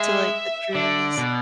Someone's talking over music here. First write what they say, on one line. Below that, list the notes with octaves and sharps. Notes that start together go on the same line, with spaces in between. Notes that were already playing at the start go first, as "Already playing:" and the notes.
to, like, the trees.
Already playing: G#3 E5
D3 D5
B2